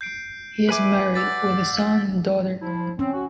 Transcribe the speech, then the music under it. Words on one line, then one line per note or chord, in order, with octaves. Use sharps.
He is married, with a son and a daughter.
G6 C7 D7
B4 E5 G#5 D6
D5 F#5 E6 A6 B6
F3 E4
C4 C#4
F#4